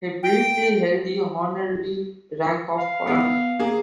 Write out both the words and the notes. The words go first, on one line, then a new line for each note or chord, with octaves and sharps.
He briefly held the honorary rank of Colonel.
G5
F5
B3
A#3 G#4